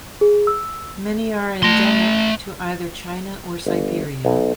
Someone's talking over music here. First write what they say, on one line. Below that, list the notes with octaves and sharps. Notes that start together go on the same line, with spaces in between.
Many are endemic to either China or Siberia.
G#4
E6
A3 C6
G1
B1